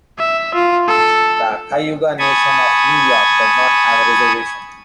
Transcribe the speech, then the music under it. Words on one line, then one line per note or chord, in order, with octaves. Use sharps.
The Cayuga Nation of New York does not have a reservation.
E5
F4
A4
G#5 A5 B5 C#6 D#6 G#6